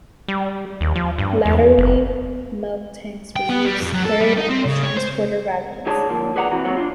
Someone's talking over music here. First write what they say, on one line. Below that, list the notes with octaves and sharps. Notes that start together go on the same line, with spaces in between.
Latterly milk tanks were used, carried on the transporter wagons.
G3
D#2
F3
G2
E2
F#1
G5
B3
G3
F2
F#3
A4
G3
D#4
C4
C#3
C#5
C5
D2 D#4 G#4 C#5 D5 A5
D2 F3 A#3
G#4 B4 D5 F#5 G#5 A#5
C3 E3 F#4
F#3 A#3 C4 F#4 C#5 F#5
D4 D#4 F4